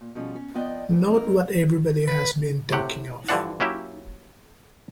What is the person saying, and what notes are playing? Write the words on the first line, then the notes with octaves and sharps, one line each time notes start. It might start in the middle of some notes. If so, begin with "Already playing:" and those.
Not what everybody has been talking of!
A#2
B2 F3 G3 C#4 F4 G#4
C#4
F2 F3 B3 D5 D#5 G5
A2 E3
C4 D#4 A#4
B4
A2 C3 G4 F#5
G2 D3 E3 F3 D4 F#5
F#3 A#3 C#4 E4 G4 E5